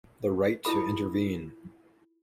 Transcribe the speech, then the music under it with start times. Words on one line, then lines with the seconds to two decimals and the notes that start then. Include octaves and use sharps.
The right to intervene.
0.65 E4 F4 A4 B5